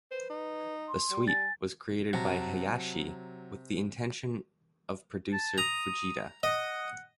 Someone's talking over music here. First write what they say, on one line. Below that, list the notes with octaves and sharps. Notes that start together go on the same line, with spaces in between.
The suite was created by Hayashi with the intention of producer Fujita.
B4 C5
D#4
C6
G3
G#5 A6
C3 F#3 F#5 A5 A#5
A5
A#5 D#6
D#5 F#5